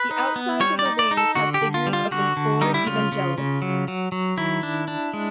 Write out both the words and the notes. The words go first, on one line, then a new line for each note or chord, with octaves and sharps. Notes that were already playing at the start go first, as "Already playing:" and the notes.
The outsides of the wings have figures of the Four Evangelists.
Already playing: B4
D#4
B3
G3 C#5
D5
D#4
D5
D#4
A4
D3 F#4
G4
D3
F4
G3
F4
D3 F#4
D3
G3 D#4
E4
C#3 F4
C#3
C#3
F#3
F#3
F#3
D#3 E4
D4
D4
G#3